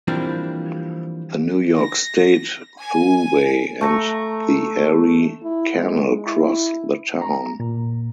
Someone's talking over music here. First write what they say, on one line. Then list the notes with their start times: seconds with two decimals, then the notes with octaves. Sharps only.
The New York State Thruway and the Erie Canal cross the town.
0.08 E3 F3 G3 A#3 C4 D4
1.78 A#6
2.81 G#5
3.81 A3 A#5 C#6
5.43 E4
5.75 G#3
6.27 E4
7.22 A#5
7.60 A#2